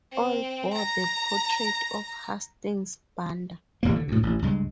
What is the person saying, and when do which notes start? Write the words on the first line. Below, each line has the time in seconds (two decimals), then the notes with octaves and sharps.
All bore the portrait of Hastings Banda.
0.12 C4
0.73 A#5 A#6
3.83 A1 E2 G2 A#3
3.96 D3
4.08 D2 A2
4.23 A1
4.42 C#2 G2 G#3